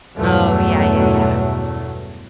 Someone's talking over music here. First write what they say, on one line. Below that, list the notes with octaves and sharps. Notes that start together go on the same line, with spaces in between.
Oh yeah, yeah, yeah.
E2 G2 B2 F#3 A3